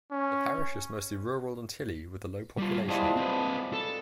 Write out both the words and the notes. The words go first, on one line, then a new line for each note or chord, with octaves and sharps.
The parish is mostly rural and hilly with a low population.
C#4
G3 F4
F3 G3 G#3 E4 G#4
C4 B4
A4